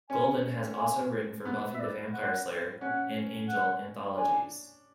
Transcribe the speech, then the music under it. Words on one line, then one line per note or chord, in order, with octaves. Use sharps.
Golden has also written for "Buffy the Vampire Slayer" and "Angel" anthologies.
C#4 G#5
G#5
B3 F#5
E5
D5
F#5
C#4 F#5
F#5
D4 G#5